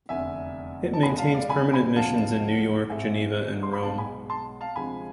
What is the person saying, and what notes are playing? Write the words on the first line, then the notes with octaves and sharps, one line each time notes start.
It maintains permanent missions in New York, Geneva, and Rome.
F1 E2 D3 E5 G#5
A5
E2 B2 G#3 G#5 B5
F5 A5
D5 F5
G#5 B5
G#5 B5
D2 C3 F3 G#3 F5 A5
G#1 G#2 G#3 E5 G#5
C6
B5
B1 B2 G#3 F5 A5
G#5 B5
A5 C6
F5 A5
D2 C3 F3 G#3 G#5 B5